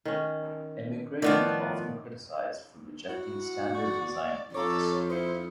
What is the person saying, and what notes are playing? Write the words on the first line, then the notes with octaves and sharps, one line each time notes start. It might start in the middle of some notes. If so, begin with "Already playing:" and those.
Emigre was often criticized for rejecting standard design rules.
D#3 C#4
A2 D#3 F3 A3 B3 D5
E4 F#4
D5 C#6
F2 A4 C#5 F5 A#5 D6
E4 C5 D#6 C#7